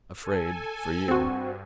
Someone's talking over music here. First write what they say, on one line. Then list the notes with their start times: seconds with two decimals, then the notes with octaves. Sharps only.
"Afraid--for you!"
0.23 A4 G#5
1.08 G2 C4 F#4